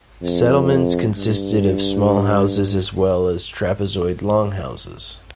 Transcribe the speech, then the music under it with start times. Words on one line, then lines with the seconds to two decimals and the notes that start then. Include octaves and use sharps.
Settlements consisted of small houses as well as trapezoid longhouses.
0.23 F2
1.16 G2